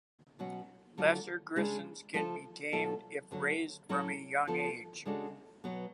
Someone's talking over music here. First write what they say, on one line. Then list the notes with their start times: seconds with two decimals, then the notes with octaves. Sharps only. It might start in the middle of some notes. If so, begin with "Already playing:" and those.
Lesser grisons can be tamed if raised from a young age.
0.39 B2 F#3 C#4 F#4
0.98 D3 F#3 A3 F4 A4
1.56 C#3 G#3 D4 G#4
2.14 F3 A3 F4 A4
2.72 B2 F#3 A3 F4 A4
3.31 D2 D3 F#3
3.89 A2 F#3 C#4 F#4 A4
4.47 F3 B3 F4 A4
5.05 C#3 G#3 D4 F#4 A4
5.64 B2 F#3 B3